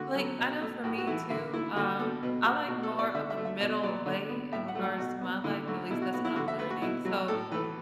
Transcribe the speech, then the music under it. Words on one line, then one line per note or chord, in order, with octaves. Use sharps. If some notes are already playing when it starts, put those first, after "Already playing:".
like, I know for me too, um, I like more of a middle way in regards to my life, at least that's what I'm learning, so,
Already playing: D3 F#4
F#3 B3 A4
B2
A3
A2 F#4
F#4
E3 A3 E4
D3 E5
A3 E4
D3 F#4
B3 A4
B2 B4
B3 F#4
B2 F#4
A4
B3
D5
D3 E5
E5
A3
E5
B2 D5
F#3 B3 D5
D3
B3
A2 E5
F#5
F#3 A3
F#5
B2 F#4
B3
D3 E4
F#3 A3 F#4
B2 E4
F#4
B3 F#4
E4
D3 F#4
E5
A3 B4
F#4
B2 E4
F#3 A3 F#4
A2 A4
E3 A3 B4